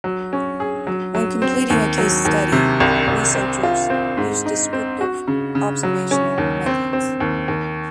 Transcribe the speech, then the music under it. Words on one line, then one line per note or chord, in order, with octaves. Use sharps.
When completing a case study, researchers use descriptive observational methods.
F#3
C#4
G#4
F#3
F#3
C4
D#2
F#3
D#2
C3
C2
C2
C4
F4
C4
G#2
D#4
C4
F#4
C#3
C#3
F#3
C#4
D#2
C4
C4
D#2
D#2